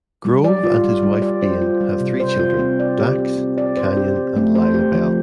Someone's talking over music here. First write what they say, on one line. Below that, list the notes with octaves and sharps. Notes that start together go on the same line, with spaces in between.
Grove and his wife Bane have three children; Dax, Canyon, and Lilah Belle.
G3
D5
F4
G3
G3
D5
C5
F4
G3
C3
C5
F4
C4
D5
G4
C4
C4
D5
C5
G4
C4
A3
C5
G4
F3